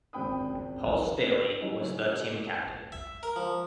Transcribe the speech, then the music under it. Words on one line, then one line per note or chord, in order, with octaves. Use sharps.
Paul Staley was the team captain.
G#1 C#2 C4 G5 B5 D#6
F#3 G3 C#4 D#4 E4
E5
A#4
F3